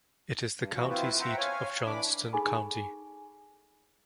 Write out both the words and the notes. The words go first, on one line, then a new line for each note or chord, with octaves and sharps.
It is the county seat of Johnston County.
G2
B2 E3 A#3 F#4
B3 C4 E4 F4 B4 C5
C5 E5 F#5 G5 A#5
C#5 F5 G#5
E3 D4 B5 D6
D#4 G#4 A4 G#5 B5 C#6